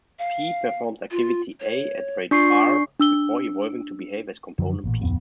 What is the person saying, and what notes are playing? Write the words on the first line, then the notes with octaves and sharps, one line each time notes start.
"P" performs activity "a" at rate "r" before evolving to behave as component "P".
F5
F4
C#5
D4 F4 C#6 C7
D4 E6 G7
F#2 D3 F3 F#3
A1 A#2
D1 F2 B3